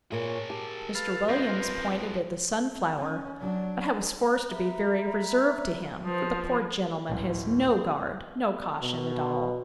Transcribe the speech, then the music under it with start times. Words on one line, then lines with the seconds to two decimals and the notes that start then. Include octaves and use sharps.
Mr. Williams pointed at the sunflower, but I was forced to be very reserved to him; for the poor gentleman has no guard, no caution at all.
0.12 A#2 G#4 A#4 C#5
0.50 G4 A5
0.95 A4 B4 F5
1.29 G2 F3 C4 A#4
2.97 C#4
3.41 F#3 D4
4.48 E5 A#5 B5
6.04 F3 B4 C5 D#6
7.09 D1 A1
8.82 B2